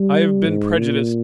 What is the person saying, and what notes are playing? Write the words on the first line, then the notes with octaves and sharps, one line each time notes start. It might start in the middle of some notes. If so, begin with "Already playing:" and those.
I have been prejudiced.
Already playing: G3
G#2
A#2